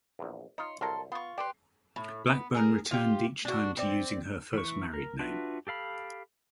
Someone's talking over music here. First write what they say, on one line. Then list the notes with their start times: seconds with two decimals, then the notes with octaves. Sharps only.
Blackburn returned each time to using her first married name.
0.19 A#1 E2
0.58 D#4 F4 C#5 C6
0.81 C2 F#3 A4 A#4 C6
1.12 B3 F4 C#6
1.38 G4 B4 D5 C6
1.96 A2
2.27 B3
2.55 G#4 A#4
2.91 F4 G4
3.45 D4 F#4
3.77 C4 D5
4.53 E3 C#6
4.94 A#4
5.19 D4 F4 F#4 B4 E5
5.67 G4 A4 F5 B5